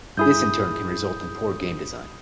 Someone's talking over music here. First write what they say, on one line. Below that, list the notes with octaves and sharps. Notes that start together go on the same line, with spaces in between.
This in turn can result in poor game design.
G2 E4 G#4 B5 D#6 G6